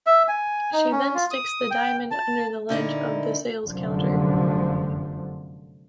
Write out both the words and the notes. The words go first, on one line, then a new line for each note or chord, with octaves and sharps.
She then sticks the diamond under the ledge of the sales counter.
E5
G#5
D#4
C#4
F4
D#6
G5
A5
A#2 D3 D#4 E4
F1 F#2 D3 F3